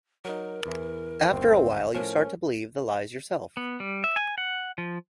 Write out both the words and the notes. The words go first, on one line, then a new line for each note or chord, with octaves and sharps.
After a while, you start to believe the lies yourself.
F#3 D#4 A#4
E2 E3
G1 D#2 C4
A2 F3 C#4 A#4
B3
G3
E5
G#5
F#5
F3